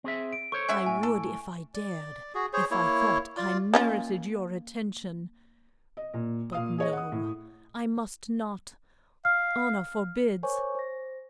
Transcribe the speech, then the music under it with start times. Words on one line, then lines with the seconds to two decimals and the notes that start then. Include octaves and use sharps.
I would if I dared, if I thought I merited your attention--but no, I must not--honour forbids.
0.04 C4 G#4 E5
0.33 D7
0.52 A4 C5 C#5 C#6
0.69 C#4 F#4 E5
0.86 A2 G#5
1.03 A4
1.74 D5
2.34 F#4 G#4
2.53 G#4 C5 C#5
2.71 A#3 E4 C#5
3.37 F4 D5
3.74 A#3 C#4 F4
5.97 D#5
6.14 A#2
6.52 A#2 F5 D#6
6.78 G#4 C#5 D#5
6.93 F#5 D#6
7.12 A2
9.25 F5 F6
10.43 A#4 C5 C#5 G#5 C#6 D6
10.75 C5 A#6